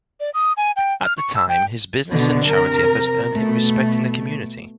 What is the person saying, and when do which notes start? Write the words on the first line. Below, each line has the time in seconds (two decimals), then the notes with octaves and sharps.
At the time, his business and charity efforts earned him respect in the community.
0.20 D5
0.34 D#6
0.57 G#5
0.76 G5
1.04 F6
1.17 C#6
1.35 E6
1.49 G5
2.12 B2 D3 B3
2.47 C3 A#4
3.31 B2 A3